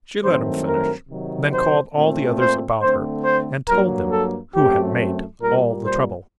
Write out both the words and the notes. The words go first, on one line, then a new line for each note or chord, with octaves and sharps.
She let him finish, then called all the others about her and told them who had made all the trouble.
G2 D#3 F#3 A3 C4 C5
A#4
C3 D#3 F#3
C5
A#2 A3 C4
C5
D3 A3 C4 C5
C5
G2 F#3 A#3 A#4
A4
F#2 F#3 A3 C4 G4
A#2 G3 A#3 A#4
C5